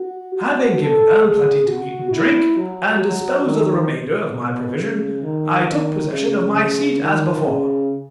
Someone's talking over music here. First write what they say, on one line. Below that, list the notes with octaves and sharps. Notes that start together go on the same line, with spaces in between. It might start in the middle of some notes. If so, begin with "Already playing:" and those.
Having given them plenty to eat and drink, and disposed of the remainder of my provision, I took possession of my seat as before.
Already playing: F#4
F#4
A4
G#4
F#4
E4
F#3
F#3
D#3
B2
C#3
D#3
D#3
C#3
C#3
D#3
C#3